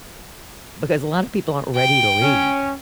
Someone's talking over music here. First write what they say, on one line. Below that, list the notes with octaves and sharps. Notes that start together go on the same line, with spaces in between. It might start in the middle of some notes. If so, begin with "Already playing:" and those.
because a lot of people aren't ready to leave,
G5
C#4